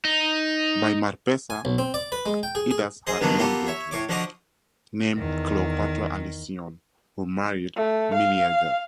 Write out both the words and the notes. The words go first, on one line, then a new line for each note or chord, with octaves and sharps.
By Marpessa, Idas had one daughter named Cleopatra Alcyone who married Meleager.
D#4
G#5
B1
C4
D5
B4
G#3
G5
G#4
G#4
G#4 C5 D#5
G2 D3 D#3 F#3 B3 D4
A#3 B3 F4 G4 A4
C#5 E5
A2 C#5 D6
D3 F3 F#4 D#5 D6
E2 D#3
A3
F5